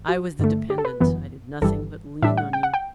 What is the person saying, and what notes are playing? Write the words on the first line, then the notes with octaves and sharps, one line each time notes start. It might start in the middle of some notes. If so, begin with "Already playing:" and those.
I was the dependent--I did nothing but lean on you.
Already playing: A1
F#4
G2 D3 A3
G4
A4
B4
G1 F#2 E3 B3
G1 G2 E3 G3 A4
A2 G3 D4 E5
F#5
G5
F#5
G5